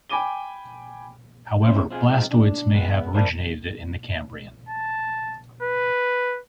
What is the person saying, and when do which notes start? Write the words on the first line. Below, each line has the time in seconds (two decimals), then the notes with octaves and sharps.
However, blastoids may have originated in the Cambrian.
0.09 G5 G#5 B5 D6 D#7 G7
1.63 C#4 E4 C5
1.90 C4 F4 G#4
2.08 G#3 C4 D#4 F4
2.31 D4
2.73 G#3 B3
3.14 A#4 C5 D5 F5 A5 B5
4.69 A5
5.62 B4